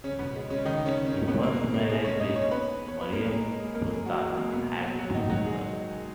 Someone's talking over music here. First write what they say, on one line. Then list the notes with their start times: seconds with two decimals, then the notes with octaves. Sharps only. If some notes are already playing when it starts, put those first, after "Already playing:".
His first marriage with Maryam Sultana had two sons.
0.04 C#3 C#4
0.19 B2 B3
0.35 G#3
0.50 C#3 C#4
0.65 D#3 D#4
0.86 C#3 C#4
1.07 C#3 C#4
1.28 B2 B3
1.43 A#3
1.59 G#3
1.74 A#3
1.89 G#3 G#4
2.05 C#4 C#5
2.20 D#4 D#5
2.36 C#4 C#5
2.51 B3 B4
2.88 C#5
3.01 B4
3.13 A#3 A#4
3.29 G#3 G#4
3.60 G#3 G#4
3.75 A#3 A#4
3.90 G#3 G#4
4.06 F#3 F#4
4.22 G#3
4.38 A#3
4.52 B2 B3
4.83 F#3 F#4
4.99 F#3 F#4
5.15 D#3 D#4
5.30 F#3 F#4
5.45 G#3 G#4